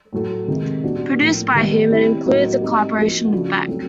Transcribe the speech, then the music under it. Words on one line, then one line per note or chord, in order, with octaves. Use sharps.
Produced by him, it includes a collaboration with Beck.
A2 F#3 A3
C3 D#3 G#3
A#2 G3 B3 D4 F#4
A2 F3 A#3
D#3 G3 B3
G3 C4 E4
A2 F#3 A#3 D#4 F#4
G3 C4 D#4
F3 A#3 D#4 F#4
C#3 F3 A3 D4 F#4
F#3 A3 C4